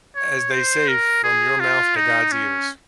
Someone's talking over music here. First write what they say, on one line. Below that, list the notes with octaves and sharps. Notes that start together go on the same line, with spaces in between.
as they say, from your mouth to God's ears.
C#5
C5
A#4
G#4
F4
D#4
C#4